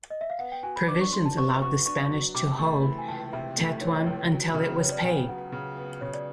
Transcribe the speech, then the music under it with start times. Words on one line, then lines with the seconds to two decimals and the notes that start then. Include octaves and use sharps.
Provisions allowed the Spanish to hold Tetouan until it was paid.
0.10 D#5
0.21 E5
0.30 F5
0.39 B3 F#5
0.52 G5
0.63 F#4 G#5
0.76 B5
0.88 D4 D6
1.01 C#6
1.12 F#3 C6
1.25 A5
1.38 B3 C#6
1.62 F#4 C#6
1.86 D4 C#6
2.10 F#3
2.35 C3 D6
2.59 A3 C#6
2.83 E3 B5
2.98 G#5
3.08 C#2 A5
3.32 C3 E5
3.57 A3
3.81 E3 C#5
4.06 C#2
4.30 F#3
4.54 C#3
4.79 B3 C#5
4.92 D5
4.99 G5
5.04 C#3 G#5
5.16 G5
5.29 F#3 F#5
5.52 C#3
5.77 B3
6.01 C#3 C#5
6.14 D5